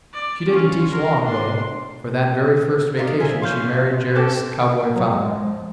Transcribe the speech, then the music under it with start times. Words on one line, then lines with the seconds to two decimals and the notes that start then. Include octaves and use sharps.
She didn't teach long though, for that very first vacation she married Jerry's cowboy father.
0.13 D5
0.49 C#4 F4
0.92 A#4 C6
1.23 D4 C6
2.97 D#4 F4 D5
3.20 F3 G#4 E5
3.42 C#5 F5 C6 G6
4.15 C#4 A4 C5 G5 D6
4.95 F#3
5.08 G#3
5.23 G#3
5.42 F3